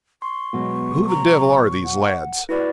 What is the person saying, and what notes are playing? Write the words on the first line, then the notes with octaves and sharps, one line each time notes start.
Who the devil are these lads?
C6 C#6
B2 F#3 G#3
A#5
F#5
E4 F#4 B4 D5